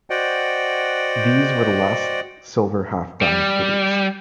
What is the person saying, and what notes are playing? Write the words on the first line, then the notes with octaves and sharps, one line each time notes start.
These were the last silver half dimes produced.
F#4 C5 D5 D#5 F#5 G5
G3